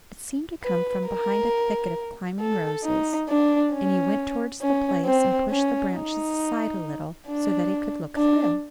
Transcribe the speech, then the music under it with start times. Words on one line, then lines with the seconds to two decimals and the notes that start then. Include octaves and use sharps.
It seemed to come from behind a thicket of climbing roses; and he went towards the place and pushed the branches aside a little, so that he could look through.
0.63 B4
1.07 A#4
2.40 A4
2.84 D#4
3.28 D4
3.72 C#4
4.62 C#4
5.06 C4
5.50 C#4
5.95 D#4
7.27 D4
8.16 D4